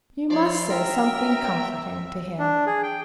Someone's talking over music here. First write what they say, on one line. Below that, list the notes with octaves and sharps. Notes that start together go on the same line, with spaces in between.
You must say something comforting to him.
F3 C#5 D5 C6
F#2 A#4 E5 G5 A#5
D4
G#4
G5